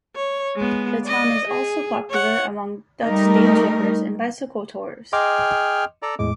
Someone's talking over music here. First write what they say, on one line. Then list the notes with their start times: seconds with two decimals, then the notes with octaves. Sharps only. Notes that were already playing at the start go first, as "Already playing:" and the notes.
The town is also popular among Dutch day-trippers and bicycle tourers.
0.15 C#5
0.56 G#3 B3
1.04 D5 D#5
1.47 G#4
2.10 C#5 F#5
3.04 G3 A3 D#4 A#4
5.13 G#4 D#5 G5 C6 D6 F6
6.02 A4 D5 A#5
6.19 E2 A2 G#3 D6